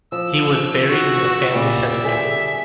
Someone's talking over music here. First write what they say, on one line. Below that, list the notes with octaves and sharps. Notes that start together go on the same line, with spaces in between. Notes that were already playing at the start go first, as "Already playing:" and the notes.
He was buried in the family cemetery.
F3 E6
F#4
A#2 G3
D3 G3 G#4 E5